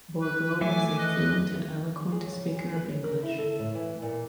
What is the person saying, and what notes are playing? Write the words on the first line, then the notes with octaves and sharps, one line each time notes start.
Bourgault was a fluent and eloquent speaker of English.
B4
E3 A3 E5 G#5 D6
B4 D#5
G#4
F#3
C#3
G#5
B4
C#5
A#4
E4
A4
A2
E3
A#2